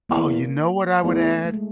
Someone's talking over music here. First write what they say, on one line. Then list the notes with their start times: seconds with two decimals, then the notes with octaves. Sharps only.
Oh, you know what I would add?
0.09 E2 A#3
1.03 E2 A3
1.45 A3
1.51 G#3